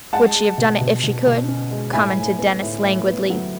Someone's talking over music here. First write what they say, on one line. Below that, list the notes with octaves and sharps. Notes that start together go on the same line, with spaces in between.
"Would she have done it if she could?" commented Denis, languidly.
G#3 F#5 A5
G#3
B2
B2
B2
B2
C#4
G#3
A2 G#5 B5
A2
B3
A2
A2
B3
F#3